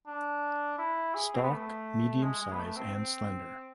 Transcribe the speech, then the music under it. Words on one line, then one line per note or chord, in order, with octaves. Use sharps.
Stalk Medium size and slender.
D4
E4
G#4
C4
B3
A3
G#3
G#3
B3
A3
C4
C4